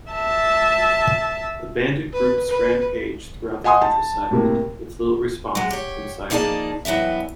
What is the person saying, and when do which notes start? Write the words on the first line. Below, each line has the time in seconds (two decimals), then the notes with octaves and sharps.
The bandit groups rampaged throughout the countryside, with little response from Siam.
0.12 E5 A5
2.13 B4
2.49 B4
3.64 D#5 F#5 G#5 C6 D#6
3.81 A5
4.31 A2 C3 A#3
5.55 F#3 G#3
5.71 G4 C#5
6.30 F3 A#3 D#4 G#4 D5 A5
6.85 G2 E3 F#3 B3 E5